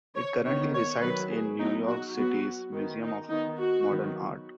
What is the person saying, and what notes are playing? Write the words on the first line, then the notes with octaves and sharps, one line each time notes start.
It currently resides in New York City's Museum of Modern Art.
C#5
D#3 B3 C#5
C#5
D#3 F#3 B3 B4
G#4
F#3 B3 D#4
F#4
F#3 B3 F#4
D#3 B3
D#4
D#3 B3 D#4
F#4
D#3 F#3 B3